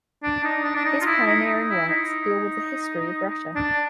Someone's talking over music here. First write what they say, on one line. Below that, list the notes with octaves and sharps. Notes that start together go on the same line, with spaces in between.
His pioneering works deal with the history of Russia.
D4
D#4
D4
D4
D#4
F4
E4
D#4
E4
D#4
D4